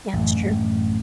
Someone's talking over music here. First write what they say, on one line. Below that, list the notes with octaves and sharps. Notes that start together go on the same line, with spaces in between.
Yeah, it's true.
A1 F#2